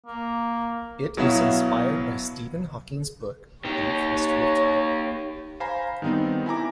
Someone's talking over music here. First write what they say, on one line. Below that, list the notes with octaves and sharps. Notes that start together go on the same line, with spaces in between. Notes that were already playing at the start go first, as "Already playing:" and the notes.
It is inspired by Stephen Hawking's book "A Brief History of Time".
A#3
B2 F#3 B3 E4 F5 E7
D#3 A#3 G4 C#5
C5 F5 G#5 A#5 B5
D#3 G3 B3 C4 D#4
E4 G#5 A#5 D6